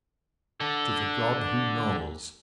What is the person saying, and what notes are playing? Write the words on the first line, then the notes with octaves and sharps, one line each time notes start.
To the god who knows.
D3 A4